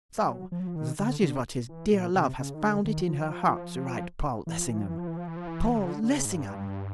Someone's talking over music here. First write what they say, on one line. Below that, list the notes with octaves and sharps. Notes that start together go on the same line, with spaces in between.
'So!--That is what his dear love has found it in her heart to write Paul Lessingham!--Paul Lessingham!'
G3
F#3
F3
F#3
F3
D#3
D3
D3
E3
A#2
C3
C#3
D#3
D3
D#3
F3
E3
F3
E3
F3
E3
F3
E3
F3
E3
F3
E3
C#3
D3
D3
C#3
G#2
G2